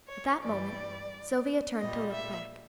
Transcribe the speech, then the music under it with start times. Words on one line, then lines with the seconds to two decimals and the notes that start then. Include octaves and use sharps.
At that moment Sylvia turned to look back.
0.08 C#5
0.42 G2 E3 G3 D5
1.77 A#2 G3 D#5
2.12 E5